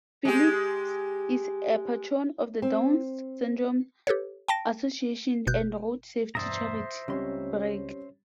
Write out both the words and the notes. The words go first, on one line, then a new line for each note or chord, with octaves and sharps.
Phillips is a patron of the Down's Syndrome Association and road safety charity, Brake.
G#3 G4
C4
G4 A4 B4 C#5
G5 A5 A#6 D7
G1 B2 F#6 G6
E2 G2 B2 C5 E5 A#5 D#6 A6
C#2 G3 C4 C#4 C#5 C6